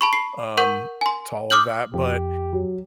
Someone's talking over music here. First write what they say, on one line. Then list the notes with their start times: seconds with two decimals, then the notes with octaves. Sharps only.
um, to all of that, but
0.01 A5 B5 C#6
0.13 C7
0.57 A#4 F#5 C#6 G6 D#7
1.01 G#5 C6
1.50 D6 D#6 F6 G6 F#7
1.94 F2 G4
2.53 F#3